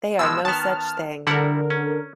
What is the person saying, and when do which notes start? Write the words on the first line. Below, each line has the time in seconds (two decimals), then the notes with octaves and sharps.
They are no such thing.
0.19 B2 F3 G#3 E6
0.45 D#3 B3 A5 F6
1.27 D3 G3 E4 A#4 F#5
1.70 C#4